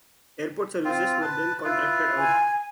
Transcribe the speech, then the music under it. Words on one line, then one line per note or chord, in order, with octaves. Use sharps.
Airport services were then contracted out.
C4 F4
B4 A5
E4 F4 B4
G#5